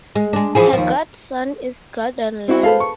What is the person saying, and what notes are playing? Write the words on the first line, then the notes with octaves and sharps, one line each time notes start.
Her godson is Gordon Lam.
G#3
G#3 D4
E3 F3 G#4
D#2 F3
C4 E4 F#4
G#4 A4 B4 C5 F5
C#6